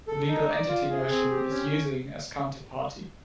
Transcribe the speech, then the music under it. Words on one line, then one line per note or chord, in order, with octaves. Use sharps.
The legal entity notion is using as counterparty.
A4
D#4
D5
F4
G#4
C4
G4
C#4